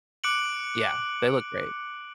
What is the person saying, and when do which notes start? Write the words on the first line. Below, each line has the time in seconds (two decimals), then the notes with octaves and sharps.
Yeah, they look great.
0.24 D6 F#6 C#7 D7 F#7